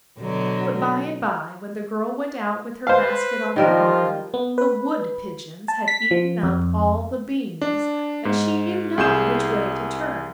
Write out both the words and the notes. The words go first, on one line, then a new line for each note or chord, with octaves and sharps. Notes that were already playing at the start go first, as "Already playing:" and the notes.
But by and by, when the girl went out with her basket on her arm, the wood pigeons had eaten up all the beans, and she knew not which way to turn.
B2 D3 F#3
B4 C5 F5
D#3 F3 G3 F4 A#4
B3
B4
A5
B6
F3
F2
D4
G#2
C2 G#4 G6 E7